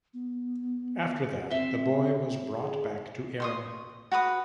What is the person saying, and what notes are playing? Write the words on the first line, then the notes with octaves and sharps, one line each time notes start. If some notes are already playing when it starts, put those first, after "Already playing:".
After that the boy was brought back to Erin.
B3
C4 E5 C6
G#4
C6 C#6 D#6
F#4 B4 B5 D#6